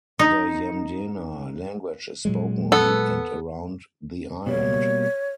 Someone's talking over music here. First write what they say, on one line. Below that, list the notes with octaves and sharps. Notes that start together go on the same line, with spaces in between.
The Yamdena language is spoken on and around the island.
D#4
A#2 F#3 G#3
B3 A4
B2 G3 A#3 C#5